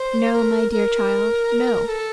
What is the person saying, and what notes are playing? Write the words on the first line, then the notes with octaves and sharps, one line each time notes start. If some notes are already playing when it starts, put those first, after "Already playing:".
No, my dear child; no.
Already playing: C5
A#4
A#4
A4